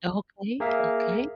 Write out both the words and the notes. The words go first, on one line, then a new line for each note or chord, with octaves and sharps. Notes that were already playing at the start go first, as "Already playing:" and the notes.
Okay, okay.
A#3 G#4 A#4 E5 F5